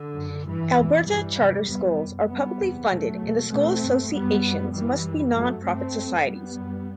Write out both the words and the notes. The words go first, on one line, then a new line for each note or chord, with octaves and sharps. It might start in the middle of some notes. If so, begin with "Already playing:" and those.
Alberta charter schools are publicly funded and the school associations must be non-profit societies.
Already playing: D3
F#2
G2 E3
E2 B2
G2 E3 G3
E2 C3
E2 C3 G3 B3
F#2
F#2 G3 B3
E2 C3
E2 B2 F#3 A3
E2 B2
E2 B2 A3 C4
G2
F#2 G3 B3
F#2
F#2 E3 G3
F#2
G2 F#3 A3
G2 A3 C4
F#2
F#2 G3 B3
F#2